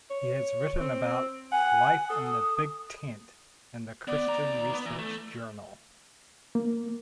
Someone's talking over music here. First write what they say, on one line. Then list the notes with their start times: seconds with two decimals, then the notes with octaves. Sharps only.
He has written about "Life in the Big Tent" in the Christian Research Journal.
0.10 C#5
0.80 C4
1.52 F#5 G#5
2.10 A4 D#6
4.08 B3 D5
4.29 D#2 A#5
4.74 B3
4.86 E3
4.99 A3
6.55 A#3